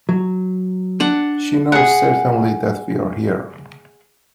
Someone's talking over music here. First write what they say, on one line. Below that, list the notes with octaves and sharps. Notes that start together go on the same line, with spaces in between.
She knows certainly that we are here.
F#3
D4 F#5
G#4 F#5